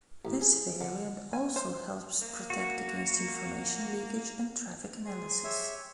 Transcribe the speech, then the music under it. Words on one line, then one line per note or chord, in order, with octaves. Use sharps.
This variant also helps protect against information leakage and traffic analysis.
A1
G#4
D3
G#5
C5
A#3
F#4
G#4 C5
G4 C#5 E5